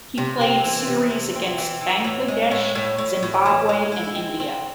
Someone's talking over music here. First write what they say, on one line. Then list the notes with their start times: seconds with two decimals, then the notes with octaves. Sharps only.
He played series against Bangladesh, Zimbabwe and India.
0.18 C3
0.41 C4
0.64 E3
0.87 C3
1.11 E3
1.35 C4
1.58 E3
1.81 E3
2.04 A2
2.28 G#3
2.51 A2
2.75 A2
2.98 A2
3.23 A2
3.46 E3
3.69 G#3
3.92 E4
4.15 C4
4.40 C4